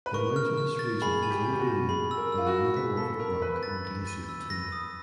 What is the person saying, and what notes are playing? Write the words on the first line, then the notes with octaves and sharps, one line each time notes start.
The mountainous region is underlain by metamorphic rock and glacial till.
B4
A#4 C#6
F6
F6
A6
G#4 B5
G#5
G4
G#5
G4
F#4
G#5
G#4 B5
E6
A#4
E6
F4
F#4
E6
G#4 B6
A4 B6
A#4 B5
B4 B6
A6
A6
D#7
E6
A#6
D#6